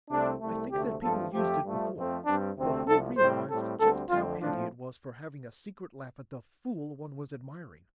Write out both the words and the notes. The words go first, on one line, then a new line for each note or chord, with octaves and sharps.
I think that people used it before, but who realized just how handy it was for having a secret laugh at the fool one was admiring?
C2 C3 A3 C4 D4
C2 C3 A3
D2 C3 A3 G4
G2 F3 A3 C4 A4
F2 F3 A3 C4 G4
G2 F3 A3
F2 F3 A3 C4
G2 G3 C4 D4
D2 C3 A3 C4
C2 C3 F3 A4
A2 G3 C4 C5
A2 G3 C4 A4
D2 D3 G3 C4 A4
F2 D3 A3 C4 F4
A2 F3 A3 C4 D4